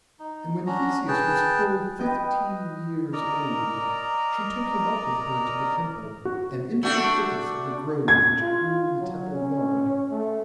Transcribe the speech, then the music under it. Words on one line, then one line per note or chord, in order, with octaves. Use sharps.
And when Theseus was full fifteen years old she took him up with her to the temple, and into the thickets of the grove which grew in the temple-yard.
D#4
C#4 D4 F#4 A#5
G#4 B4 G5 A5
B4 D#5 G5
A#4 D5 D#5 A#5
F#4
A3 D4 F#4
G#6
F4
F#3
C#4
A3